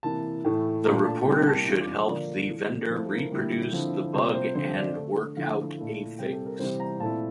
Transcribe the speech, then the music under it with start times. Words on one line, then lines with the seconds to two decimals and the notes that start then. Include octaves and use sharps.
The reporter should help the vendor reproduce the bug and work out a fix.
0.03 C3 E3 A#3 E4 A5
0.45 A2 E3 A3 E4
0.85 A#2 A3 D4 F4 A#5
1.06 A5
1.26 C3 G3 A#3 E4 G5
1.47 A5
1.67 E3 G3 D4 F4
1.81 D6
1.94 C6
2.08 D3 F3 A#3 D4 F4 D5
2.49 E3 A3 E4
2.90 F3 A3 C4 E4 C5
3.11 A#4
3.31 D3 G3 A#3 E4
3.72 D3 F3 C4 E4
4.14 C3 G3 C4 F4 C5
4.34 C5
4.54 D3 F3 C4 C5
4.75 D5
4.95 D3 A3 D4
5.36 D3 F3 A3 E4 F5
5.77 A#2 A3 E4
6.19 C3 G3 C4 G5
6.33 A4
6.46 A#4
6.59 C3 E3 G3 C4 E4 C5
6.80 A#5
7.00 A#2 A3 C4 E4 A5